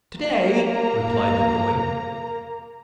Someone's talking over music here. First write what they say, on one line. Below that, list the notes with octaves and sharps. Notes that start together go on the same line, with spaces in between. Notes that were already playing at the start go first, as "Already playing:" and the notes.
"To-day!" replied the boy.
A#3 A#5